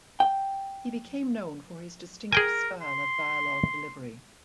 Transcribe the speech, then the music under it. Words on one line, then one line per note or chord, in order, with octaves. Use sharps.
He became known for his distinct style of dialogue delivery.
G5
G#4 A#4 G5 G#5
C6